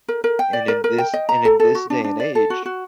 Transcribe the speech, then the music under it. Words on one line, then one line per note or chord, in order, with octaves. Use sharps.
And in this and in this day and age,
A#4
A#4
G5
D5
A#4
A#4
G5
D#5
A#5
A4
A4
F#4
D4
D4
D5
A4
F#4
F#4